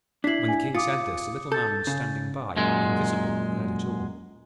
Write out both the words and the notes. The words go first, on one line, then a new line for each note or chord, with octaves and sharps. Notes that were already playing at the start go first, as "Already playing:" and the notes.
When the King said this, the Little Man was standing by, invisible, and heard it all.
D4 E4 B6 C7 F#7
G#5
F4 D6 D#6 C#7
A4 G6 A6
C#3
F#2 A#2 G#3